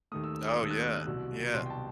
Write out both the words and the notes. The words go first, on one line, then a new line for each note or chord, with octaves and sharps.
Oh, yeah, yeah.
D#2 D#3 A3 D#6
E6
E6
D#6
D#2 D#3 A3 E6
F#6
E6
F#6
C2 B2 F#3 E6
C2 B2 F#3 C6
G5
A5